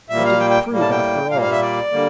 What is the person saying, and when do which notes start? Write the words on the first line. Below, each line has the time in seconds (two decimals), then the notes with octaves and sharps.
What did it prove after all?
0.09 A#2 G3 A#3 E5
0.25 F5
0.40 G5
0.50 G5
0.71 A2 G3 A#3
0.81 A5
0.91 G5
1.31 A#2 G3 A#3 F5
1.41 F5
1.51 E5
1.62 D5
1.92 D3 G3 A#3